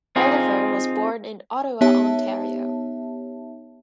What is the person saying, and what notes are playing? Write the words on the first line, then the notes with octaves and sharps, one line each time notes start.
Oliver was born in Ottawa, Ontario.
C4 D#4 F4 G#4
B3 D#4 G4 C#5 E5 A5